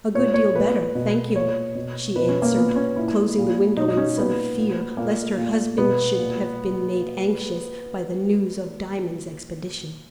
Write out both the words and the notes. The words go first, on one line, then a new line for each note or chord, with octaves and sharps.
"A good deal better, thank you," she answered, closing the window in some fear lest her husband should have been made anxious by the news of Diamond's expedition.
A#2 C#5
C#5
A#2 B4
B2
A#2 C#5
B2
B2 B4
C#4
A#3
A#2 B3
C#4
A#2 E4
A#2
B2 D#4
D#4
C#4
A#2 B3
A#2
A#2 A#3
A#2
B2 B3
A#2